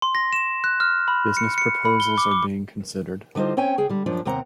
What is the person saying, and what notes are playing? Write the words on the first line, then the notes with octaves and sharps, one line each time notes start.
Business proposals are being considered.
C6
A#6
E7
F#6
F6
B5
C#7
C#7
B5
G7
D6
D6
D3 G3 D#4 F4 C5
C4 C#4 C#5 G5 G#5
C#3 G#4 G5
D3 G3
F#2 F3 D4
D#2 C3 C4 F#5 A#5